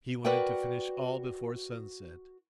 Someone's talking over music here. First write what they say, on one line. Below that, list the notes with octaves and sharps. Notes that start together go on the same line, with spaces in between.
He wanted to finish all before sunset.
F#4 A#4 B4 D5 F#5 G5